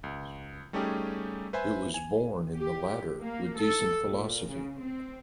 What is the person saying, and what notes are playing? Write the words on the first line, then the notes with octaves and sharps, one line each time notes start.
It was borne in the latter with decent philosophy.
C#2
G3 A3 C#4 D#4 G4 G#4
B4 C5 E5 G#5 B5
G#5
G4
A#3
A4
A#2
C#3
C4